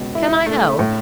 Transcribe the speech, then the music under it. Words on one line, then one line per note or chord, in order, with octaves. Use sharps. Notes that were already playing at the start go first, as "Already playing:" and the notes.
"Can I help?"
Already playing: C#2 B2
E4
A3
A2